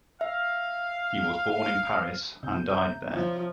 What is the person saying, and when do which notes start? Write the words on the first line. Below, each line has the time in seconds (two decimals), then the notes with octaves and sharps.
He was born in Paris, and died there.
0.21 E5 F5
2.43 C3 G6
2.75 E5 A#5
3.13 F3 C#5